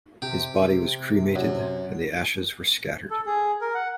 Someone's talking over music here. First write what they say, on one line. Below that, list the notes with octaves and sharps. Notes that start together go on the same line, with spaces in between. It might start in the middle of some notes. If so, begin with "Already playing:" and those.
His body was cremated and the ashes were scattered.
C3 G4
F#2
A4
G#4
A#4
F#5